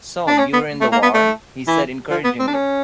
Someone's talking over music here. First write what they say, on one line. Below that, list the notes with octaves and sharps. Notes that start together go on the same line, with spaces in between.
"So you were in the war," he said encouragingly.
D4
C#4
B3
A3
A#3
B3
A3
E3
F3
B3
C4
D4
C#4